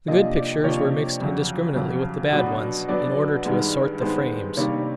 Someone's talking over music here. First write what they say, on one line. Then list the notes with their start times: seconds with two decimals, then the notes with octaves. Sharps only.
The good pictures were mixed indiscriminately with the bad ones, in order to assort the frames.
0.08 C3 F3 A#3 D4 D#5
0.37 D5
0.64 C3 F3 A#3 D4 C#5
1.20 F2 C#3 F#3
1.76 F2 C#3 F#3
2.33 B2 F#3 B3 D4
2.88 B2 F#3 B3 D4 D5
3.45 G2 D#3 G#3 B3
4.00 G2 D#3 G#3 B3 C5
4.56 C3 D#3 G3 A#3 D4 C#5